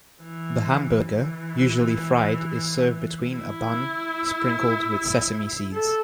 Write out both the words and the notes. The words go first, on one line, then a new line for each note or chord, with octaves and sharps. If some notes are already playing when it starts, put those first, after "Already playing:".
The hamburger, usually fried, is served between a bun, sprinkled with sesame seeds.
E3
E3
E4
A4